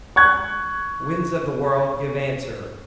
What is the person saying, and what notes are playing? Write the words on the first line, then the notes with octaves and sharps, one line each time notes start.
Winds of the world, give answer!
C#6 F#6 G#6